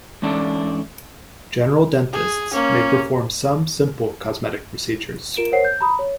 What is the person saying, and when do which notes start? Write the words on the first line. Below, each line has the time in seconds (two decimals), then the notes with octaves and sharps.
General dentists may perform some simple cosmetic procedures.
0.22 G#2 E3 C#4 D4 A4 D5
2.13 G#4
2.52 A#3 C#4
5.37 F4 A#4 D7 E7
5.52 A#4 C5 C#5 F#5 C7
5.65 G6
5.81 A#5 B5 D#6
5.99 C#5